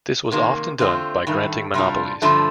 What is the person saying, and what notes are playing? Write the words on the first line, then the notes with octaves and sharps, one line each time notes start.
This was often done by granting monopolies.
C3 D#3 A#3
D3 A3 C4 F4
G2 D#3 A3
C3 G3 D4 F4
G2 D3 F3 A3